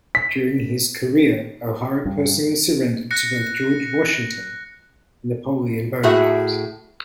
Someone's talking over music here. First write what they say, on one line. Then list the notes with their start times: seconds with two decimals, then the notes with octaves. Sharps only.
During his career O'Hara personally surrendered to both George Washington and Napoleon Bonaparte.
0.15 B6
2.05 G2
3.11 F#6 A#6 C#7
6.03 A2 F#4 G#4 E5